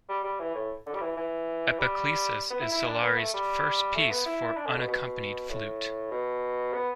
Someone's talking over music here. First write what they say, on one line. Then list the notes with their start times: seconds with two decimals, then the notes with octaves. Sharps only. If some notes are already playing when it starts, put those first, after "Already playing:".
Epiclesis is Solare's first piece for unaccompanied flute.
0.09 G3
0.24 G3
0.39 E3
0.55 A2
0.87 D3
0.95 G3
1.01 E3
1.17 E3
1.79 G3
2.51 B3
2.61 E4
2.72 E4
2.87 D4
3.03 B3
3.18 A3
3.34 G3
3.96 A3
4.11 B3
4.26 E4
4.57 D4
4.67 D3
4.77 B2
4.88 B2
5.49 A2
6.11 B2
6.73 B3